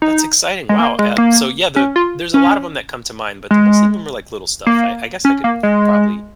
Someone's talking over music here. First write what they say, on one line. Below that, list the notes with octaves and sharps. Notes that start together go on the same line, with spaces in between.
That's exciting, wow, uh, so yeah, the there's a lot of 'em that come to mind, but the most of them are like little stuff. I I guess I could probably
D#4
G#3
A#3
G#3
A#3
C#4
F4
C#4
G#3
A#3
C#4
A#3
G#3